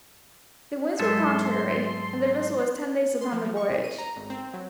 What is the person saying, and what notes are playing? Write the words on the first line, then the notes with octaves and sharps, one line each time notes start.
The winds were contrary, and the vessel was ten days upon the voyage.
G#2 F#3 G#3 G#4 A4 E5 C6
C6
F3
F3
C#6
C2
D#7
A#5
G#1
C4
F#3